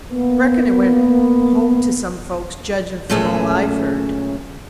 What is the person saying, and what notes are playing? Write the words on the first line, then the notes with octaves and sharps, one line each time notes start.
Reckon it went home to some folks, judgin' from all I've heard.
A#3 B3
A#2 F#3 A3 C#4 G#4 E5